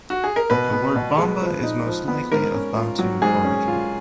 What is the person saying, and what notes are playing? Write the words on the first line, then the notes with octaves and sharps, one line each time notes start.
The word "bomba" is most likely of Bantu origin.
F#4
G#4
A#4
B2 B4
B3
B2
G#3
F3
D#4
F3
B3
G#2 A#4
C#4
F4
F#3
G#2 G#4
C#4
F4